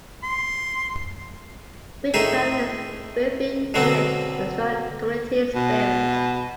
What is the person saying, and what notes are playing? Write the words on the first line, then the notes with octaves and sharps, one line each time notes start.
Whitwell is a thriving village with strong community spirit.
C6
A2 D#3 D#4 G#4 E5
B2 D3 F#3 B3 C4
B2